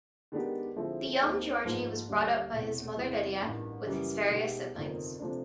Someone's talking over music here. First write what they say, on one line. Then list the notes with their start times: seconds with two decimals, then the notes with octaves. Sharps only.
The young Georgi was brought up by his mother Lydia, with his various siblings.
0.32 D#3 G#3 B3 D4 G4
0.76 D3 F3 G#3 C4 E4
1.20 D#2 D#3 G#3 C4 D#4
1.65 G#2 F3 A#3
2.09 D#2 D3 G3
2.53 E1 E2 C3
2.97 E2 C3 E3
3.41 A1 G2 D#3
3.86 F#2 C#3 E3 G3
4.30 B2 G#3 B3 D#4 G4
4.75 G1 F2 C3 D#3
5.19 C3 F3 A3 D4